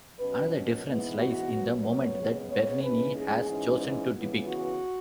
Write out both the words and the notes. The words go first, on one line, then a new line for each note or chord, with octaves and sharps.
Another difference lies in the moment that Bernini has chosen to depict.
B2 F#3 C#4 B4
G#2 E3 B3
F#4
F#2 F#3 B3
C#5
C#3 G#3 B3
C#5
G#2 E3 C#4 B4
G#4
G#2 E3 C#4
C#3 E3 B3
F#4